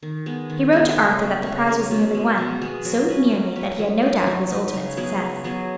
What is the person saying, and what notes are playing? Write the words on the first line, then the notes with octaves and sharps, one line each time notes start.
He wrote to Arthur that the prize was nearly won; so nearly that he had no doubt of his ultimate success.
D#3
G#3 B3
D#3
G#3 B3
C#3
F#3 C#4
C#3
F#3 C#4
B2
G#3 B3
B2
G#3 B3
F#3
C#4 B4
F#3
C#4 B4
F#3
D#4 B4
F#3
D#4 B4
C#3
F#3 B3 G#4
C#3
F#3 B3 G#4